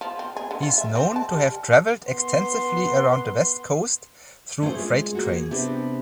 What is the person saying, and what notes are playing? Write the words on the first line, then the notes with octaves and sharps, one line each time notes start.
He is known to have traveled extensively around the west coast through freight trains.
F3
C4
G#4
D3
F4
E5
C4
A5
G3
B3 C6
A3 C#4 D4 G#4 C5
G#3 F4 G#4
A#3 F#4 C5
G#4
C3 B3 C4 D4 G4